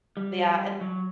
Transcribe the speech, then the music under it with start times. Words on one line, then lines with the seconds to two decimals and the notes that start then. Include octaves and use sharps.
Yeah, and
0.17 G3
0.81 F#3